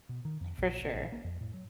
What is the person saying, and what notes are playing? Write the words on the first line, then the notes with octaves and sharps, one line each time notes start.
For sure.
B2
D#3
F2
A#1
A#1
A#1
A#3
F2
A2
F#3